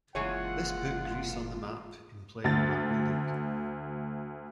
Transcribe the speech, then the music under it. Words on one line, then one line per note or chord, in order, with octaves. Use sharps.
This put Greece on the map in playing rugby league.
F#1 E3 G#3 A#3 F4 G#4 C#5 F#5
D2 A6